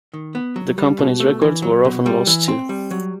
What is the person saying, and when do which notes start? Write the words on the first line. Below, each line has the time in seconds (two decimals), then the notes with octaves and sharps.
The company's records were often lost too.
0.13 D#3
0.35 B3
0.56 F#3
0.78 G3
0.99 B2
1.20 A3
1.42 E3
1.62 F#3
1.85 B2
2.06 G3
2.27 E3
2.48 C4
2.69 G3
2.91 F#3